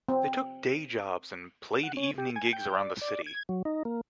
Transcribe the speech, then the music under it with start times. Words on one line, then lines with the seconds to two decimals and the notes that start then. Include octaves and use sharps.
They took day jobs and played evening gigs around the city.
0.09 C4
1.83 F#5
1.97 C#4
2.18 G4
2.36 G#5
2.53 G5
2.75 D5
3.02 D5
3.26 G#6
3.49 F#3
3.65 D#4
3.85 A#3